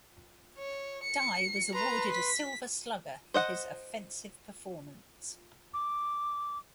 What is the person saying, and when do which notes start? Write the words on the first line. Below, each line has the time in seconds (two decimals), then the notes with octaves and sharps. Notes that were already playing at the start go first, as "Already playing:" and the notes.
Dye was awarded a Silver Slugger for his offensive performance.
0.57 C#5
1.03 C#7
1.75 B4 A#5 C6
2.13 B6
3.34 C5 D#5 F#5
5.74 D6